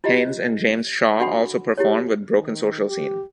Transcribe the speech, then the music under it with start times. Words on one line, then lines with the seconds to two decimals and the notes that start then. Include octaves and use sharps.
Haines and James Shaw also perform with Broken Social Scene.
0.04 E4 F4 G4 D#5
1.20 D4 F#4 A4 F#5 B5
1.77 E4 G4 G#4 C#5
2.37 D#3
2.87 G4